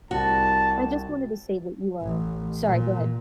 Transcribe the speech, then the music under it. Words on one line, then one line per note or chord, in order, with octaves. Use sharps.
I just wanted to say that you are Sorry, go ahead.
C2 F#4 A5
A1
A#2